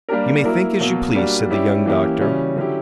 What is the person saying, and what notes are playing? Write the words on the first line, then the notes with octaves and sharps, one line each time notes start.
"You may think as you please," said the young doctor.
G3 A#3 D4 G4 A#4
F#3 A#3 E4 A#4
B2 F#3 A#3
G3 A#3 D4 F#4
G3 C#4 E4 G4
E3 A#3 C#4 E4 G4
C#3 E3 G3 C#4 F#4
D3 F#3 C#4 E4 G4